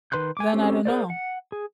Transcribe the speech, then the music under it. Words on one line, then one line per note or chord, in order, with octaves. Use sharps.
Then I don't know,
D#3 B4 C6 F#6 G6
G#5 D6
C4 C#4 G4 A4
G#4 A#4 C5 D5
F#5
G#4